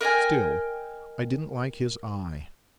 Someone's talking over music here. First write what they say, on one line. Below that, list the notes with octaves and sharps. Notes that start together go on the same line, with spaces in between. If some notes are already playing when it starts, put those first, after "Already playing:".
Still, I didn't like his eye.'
A#4 D#5 G5 G#5